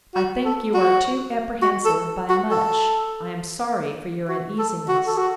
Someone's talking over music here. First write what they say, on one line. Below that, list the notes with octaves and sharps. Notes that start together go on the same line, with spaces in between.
'I think you are too apprehensive by much; I am sorry for your uneasiness.
F#4
A4
F#4
F#4
A4
F#4
A4
F#4
A4
F#4
A4
F#4